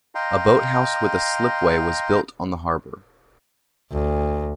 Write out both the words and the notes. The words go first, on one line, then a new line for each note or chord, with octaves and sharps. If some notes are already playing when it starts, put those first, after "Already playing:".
A boat house with a slipway was built on the harbour.
D#5 F5 G5 A#5 C6
D2